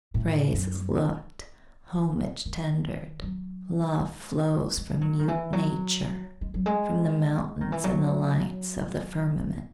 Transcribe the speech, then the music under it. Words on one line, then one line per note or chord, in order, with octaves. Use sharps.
Praise is looked, homage tendered, love flows, from mute nature, from the mountains and the lights of the firmament.
A2
F#2
D#3
F#3
G#3
G#3
F#3
D#3
E3
F#3
G#3
F#3
G#3
D#3
E3
F#3
E3